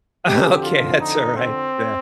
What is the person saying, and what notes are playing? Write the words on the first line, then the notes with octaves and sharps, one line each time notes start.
Okay, that's alright. Yeah.
F2 D3 F3 C4 G4
F4
D#4
C4